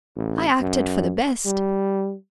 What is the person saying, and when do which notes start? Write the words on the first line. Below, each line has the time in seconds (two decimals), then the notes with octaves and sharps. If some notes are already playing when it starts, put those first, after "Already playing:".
I acted for the best.
0.16 A1
0.61 F#2
1.46 G3